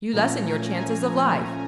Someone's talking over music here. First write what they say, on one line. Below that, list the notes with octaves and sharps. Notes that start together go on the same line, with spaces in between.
You lessen your chances of life!
A#2 F3 A3 C#4 A#5
G#5
G#5